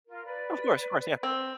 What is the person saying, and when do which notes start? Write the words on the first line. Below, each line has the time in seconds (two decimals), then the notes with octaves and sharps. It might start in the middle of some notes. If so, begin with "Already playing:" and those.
Of course, of course, yeah.
0.06 F4 A#4
0.24 B4 D5
1.23 C4